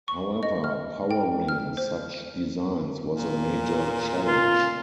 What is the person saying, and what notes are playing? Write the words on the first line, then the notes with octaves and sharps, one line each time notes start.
However, powering such designs was a major challenge.
C#6
D#5
F6
G5
F6
C5
A#2
F4